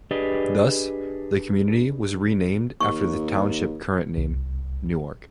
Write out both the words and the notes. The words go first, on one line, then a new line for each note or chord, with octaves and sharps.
Thus the community was renamed after the township current name, Newark.
D4 G4 G#4 B4 D5 D#5
D#2 C#6
C2